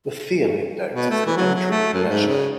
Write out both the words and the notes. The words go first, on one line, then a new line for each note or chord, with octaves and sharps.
The Theil index is an entropy measure.
B2
A3
E3
F#3
F#3
A3
F#2
G#2
C#3